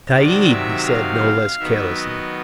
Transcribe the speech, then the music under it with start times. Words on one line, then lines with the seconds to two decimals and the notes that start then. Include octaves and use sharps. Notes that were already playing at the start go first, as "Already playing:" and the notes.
"Tayeeb," he said, no less carelessly.
0.11 C3 D#3 F#3 D5
0.49 E5
0.86 F5
1.59 D#3 F#3 B3 E5
1.96 D#5